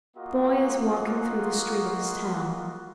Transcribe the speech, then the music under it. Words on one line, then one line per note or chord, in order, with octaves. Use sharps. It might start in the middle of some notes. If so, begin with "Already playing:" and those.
The boy is walking through the street of his town.
A#3 F4 F#4 D#5 F#5